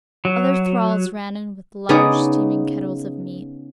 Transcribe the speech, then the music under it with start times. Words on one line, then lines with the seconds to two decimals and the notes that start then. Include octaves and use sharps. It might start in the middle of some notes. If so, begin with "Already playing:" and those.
Other thralls ran in with large steaming kettles of meat.
0.25 F#3
1.89 C#3 B3 D#4 G#4 C#5 D5